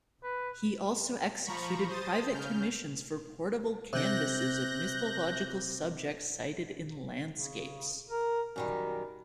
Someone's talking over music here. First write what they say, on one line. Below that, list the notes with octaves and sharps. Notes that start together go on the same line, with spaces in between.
He also executed private commissions for portable canvases of mythological subjects sited in landscapes.
B4
F3 A#5 B5 C#6
C5 D#6 A6
C#3 F6 G6
C3 F#6 G6 A#6
C#3
A#4
F#2 D#3 G3 A#4